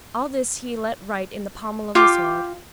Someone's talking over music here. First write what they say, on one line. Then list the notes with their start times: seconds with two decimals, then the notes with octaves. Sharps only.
All this he let write in the pommel of the sword.
1.95 F4 G4 D6